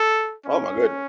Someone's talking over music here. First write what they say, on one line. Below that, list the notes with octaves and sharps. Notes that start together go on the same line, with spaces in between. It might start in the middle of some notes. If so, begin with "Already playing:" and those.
Oh, my goodness.
Already playing: A4
C#4